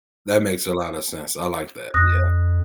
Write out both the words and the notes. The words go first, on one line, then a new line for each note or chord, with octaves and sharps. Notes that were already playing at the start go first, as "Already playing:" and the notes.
That makes a lot of sense, I like that, yeah.
F2 D#6 F#6 A#6